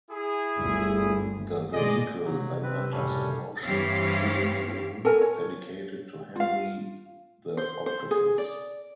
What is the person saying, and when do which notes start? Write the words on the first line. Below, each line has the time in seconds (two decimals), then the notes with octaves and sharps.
The vehicle then enters an ocean themed room dedicated to Henry the Octopus.
0.11 E4 G#4
0.56 G1 D2 G2
1.73 B2 D3 G#3 G#4 D5 D#5
2.25 C3 F#3 D#4
2.63 C4 B4
2.92 F#1 A2 G3 A3 C#4 D4
3.64 G2 E3 C4 G4 C#5 F5
5.05 A4 A#4 G#5
5.21 C#5
6.36 F4 F5
7.57 C5
7.86 C5
8.11 G#4
8.38 D5